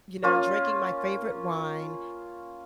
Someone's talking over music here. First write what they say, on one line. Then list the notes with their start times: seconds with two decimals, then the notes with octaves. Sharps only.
you know, drinking my favorite wine,
0.23 A#3 C#4 F4